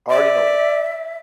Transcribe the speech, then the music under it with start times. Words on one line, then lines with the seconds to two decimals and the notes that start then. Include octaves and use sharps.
I already know it
0.10 D5 E5